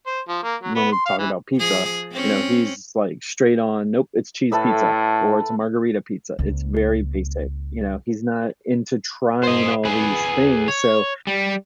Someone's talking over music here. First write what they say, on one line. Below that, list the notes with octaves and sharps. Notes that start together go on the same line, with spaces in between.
when we talk about pizza, you know, he's, like, straight on, nope, it's cheese pizza, or it's a margarita pizza. It's very basic, you know, he's not into trying all these things. So,
C5
F3
A#3
F#3
B3
C6
F5
E3
F3 G#4
C4 C#4
A2 A4 B4 E5
C#2 A#3
C5 D#5
G#4 B4
C#5
G3